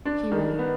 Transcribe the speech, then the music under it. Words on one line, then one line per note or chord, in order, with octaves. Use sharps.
He rang.
D4
D#3
B3